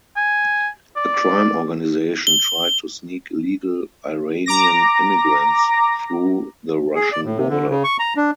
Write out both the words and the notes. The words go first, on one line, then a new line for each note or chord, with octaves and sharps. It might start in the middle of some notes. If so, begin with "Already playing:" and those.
A crime organization tried to sneak illegal Iranian immigrants through the Russian border.
G#5
D5
G7
A#5 D6 A#6
G#4
D5
A2
C3
D3
C#3
C#6
A#5
D4